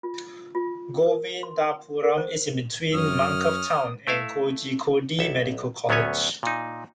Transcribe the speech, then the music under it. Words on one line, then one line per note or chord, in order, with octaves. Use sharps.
Govindapuram is in between Mankav town and Kozhikode Medical College.
F4
F4
A#4
C6
A#4
C5
F#2 C#4 D#6 F6
A3 E4 E5 F5
B1 E5
D2 F#3 B3 C#4 C#5 G#5
A#2 D#4